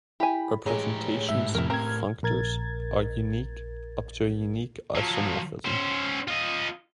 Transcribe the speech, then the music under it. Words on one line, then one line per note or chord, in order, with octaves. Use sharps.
Representations of functors are unique up to a unique isomorphism.
E4 G4 G#5 B5
A2 E3 G#3 G4 G#4 C#5 A#5
G#2 E5
F2 C3 E4 A#4
C4 A#4 A#5 F6 G#6
A#1 A#4 G#6 A6
F3 F#3
C#4 C5
F4 D#5